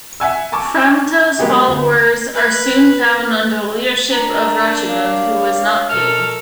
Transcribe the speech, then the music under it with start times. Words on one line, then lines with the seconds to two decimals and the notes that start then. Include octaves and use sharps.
Framta's followers are soon found under the leadership of Rechimund, who was not king.
0.20 E5 F#5 G#5 E6
0.52 G#5 A5 C#6 D6
1.39 F#3 G#3 A#3 B3 G4 G#4
1.68 D2
2.33 B4
4.12 A#3 D4 A#5
4.88 G4 C#5 F5
5.89 B2 A4 A#4 E5 F6